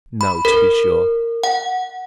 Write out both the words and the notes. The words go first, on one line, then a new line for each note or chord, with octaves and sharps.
No, to be sure!
B5
A#4
F#5